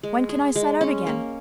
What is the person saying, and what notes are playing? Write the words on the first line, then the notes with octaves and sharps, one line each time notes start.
"When can I set out again?"
G#3
G#4
G#3
C#4
A#3